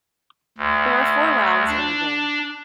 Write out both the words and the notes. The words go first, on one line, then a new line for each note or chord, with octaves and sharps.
There are four rounds in the game.
D2
D4